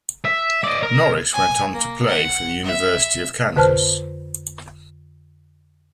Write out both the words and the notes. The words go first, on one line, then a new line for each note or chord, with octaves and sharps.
Norris went on to play for the University of Kansas.
E5
D5 D#5
A#4
G#5
A#3
F#5
E5
F2 D3 B4 C5 A5 F6